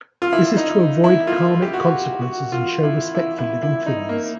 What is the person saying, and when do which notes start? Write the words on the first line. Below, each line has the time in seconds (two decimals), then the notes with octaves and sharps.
This is to avoid karmic consequences and show respect for living things.
0.22 F4
0.33 E4
0.57 D#4
1.04 E4
1.27 F4
1.62 G4
1.73 F#4
2.21 F#4
2.52 F4
2.83 E4
3.15 E4
3.39 E4
3.63 E4
3.86 D#4
4.09 A#3